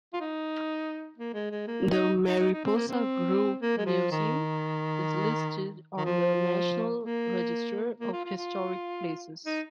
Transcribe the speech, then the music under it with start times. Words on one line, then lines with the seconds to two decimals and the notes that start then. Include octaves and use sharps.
The Mariposa Grove Museum is listed on the National Register of Historic Places.
0.13 F4
0.20 D#4
1.18 A#3
1.34 G#3
1.51 G#3
1.67 A#3
1.91 D#4
2.27 D#4
2.40 D#4
2.52 D#4
2.64 C4
2.76 A#3
2.88 C4
3.62 A#3
3.77 G#3
3.86 F3
4.11 D#3
5.97 D#3
6.05 F3
7.03 A#3
8.00 A#3
8.13 F4
8.25 F4
8.37 F4
9.46 D#4